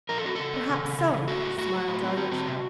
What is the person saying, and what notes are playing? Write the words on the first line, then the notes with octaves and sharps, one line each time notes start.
"Perhaps so," smiled Alyosha.
F3 A#4
A4
C4 F#4
C#3 A4
C4
C#3
C#3
C#3
C#3
A3 F#4
A2
A2 F#4
A2
A2
C4
C4
C4
C3